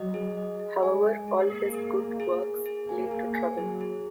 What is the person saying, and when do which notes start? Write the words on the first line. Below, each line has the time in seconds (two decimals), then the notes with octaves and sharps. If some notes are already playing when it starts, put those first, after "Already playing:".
However, all his good works lead to trouble.
Already playing: F#3 D#5
0.14 G#4
0.37 D#5
0.60 G#4
0.83 G#3 G#5
1.05 G#4
1.28 G#4
1.51 A#3 G#4
1.74 G#4
1.97 G#4
2.20 G#4
2.43 G#4
2.66 G#4
2.89 A#3 G#5
3.11 G#4
3.34 G#5
3.58 F#3 G#4
3.81 G#4